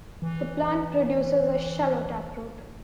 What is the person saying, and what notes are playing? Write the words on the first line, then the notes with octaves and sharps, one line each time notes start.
The plant produces a shallow taproot.
E3